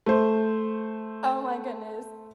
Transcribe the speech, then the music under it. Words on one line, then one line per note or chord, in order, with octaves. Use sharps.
oh my goodness.
A3 C5